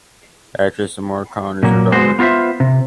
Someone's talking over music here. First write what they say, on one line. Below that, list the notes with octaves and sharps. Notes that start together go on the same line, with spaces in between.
Actress Amar Khan is her daughter.
A#2 F#3 A#3
G#3 B3 F#4 C5
B3 F4 F#4 C5 E5
C3